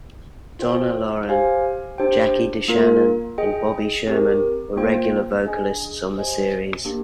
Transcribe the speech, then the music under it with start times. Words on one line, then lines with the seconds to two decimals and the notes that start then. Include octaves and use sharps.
Donna Loren, Jackie DeShannon and Bobby Sherman were regular vocalists on the series.
0.59 F4 C5 G5
1.29 G4 C5 F5 G#5
1.98 D4 G4 C5 G5
2.68 A#3 F4 A#4
3.38 G#4 D#5 G5
4.07 C4 G4 A#4
4.76 A#3 F4 C5 G5
5.46 D4 G#4 D#5 G#5
6.15 G4 C5 D#5 G#5
6.85 A#3 D4 G4